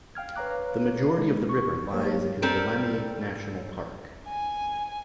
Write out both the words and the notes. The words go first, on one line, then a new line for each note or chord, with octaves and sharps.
The majority of the river lies in Wollemi National Park.
F5 G5 F6 G#6
B4 C#5 F5 A#5 D6 F#6
G#3
C#6
F#3 A#3 G4 A#4 C5 C#5
G3 C4 A4 A#4
G#5